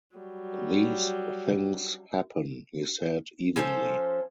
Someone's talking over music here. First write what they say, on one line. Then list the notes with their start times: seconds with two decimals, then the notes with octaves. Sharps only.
"These things happen," he said evenly.
0.16 F#3 G3
3.56 F3 C#4 A4 C5